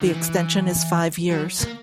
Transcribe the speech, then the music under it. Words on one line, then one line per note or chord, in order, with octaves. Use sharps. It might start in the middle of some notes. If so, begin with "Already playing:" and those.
The extension is five years.
D#3
E3
F#3
A#3